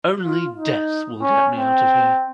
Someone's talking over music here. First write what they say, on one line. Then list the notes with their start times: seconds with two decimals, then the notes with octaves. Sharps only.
Only death will get me out of here.
0.22 F4
0.55 D#4
1.22 C#4
1.55 C4